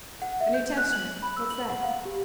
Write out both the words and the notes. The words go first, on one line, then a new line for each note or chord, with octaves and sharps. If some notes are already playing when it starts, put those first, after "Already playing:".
"A New Testament; what's that?"
F#5
E5
G6
F#6
F#7
B5
E6
F#7
F#5
F5
G4